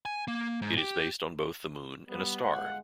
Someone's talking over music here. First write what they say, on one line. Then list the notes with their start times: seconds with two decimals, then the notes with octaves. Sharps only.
It is based on both the moon and a star.
0.05 G#5
0.28 A#3
0.62 G#2
0.78 G4
2.09 G3 B3
2.41 G1 G#3 F5 F#5